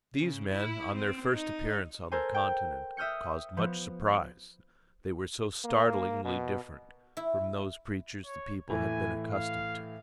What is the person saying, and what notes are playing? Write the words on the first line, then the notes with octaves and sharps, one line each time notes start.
These men, on their first appearance on the Continent, caused much surprise, they were so startlingly different from those preachers the people had been accustomed to.
C#3
E4
C4
D#4
A4 A#4 C5 G#5
G5
E5 D#6 F6 G6 C#7
F3 B3
A#3
B2
E4
C#5
A2 E3 G#5
F5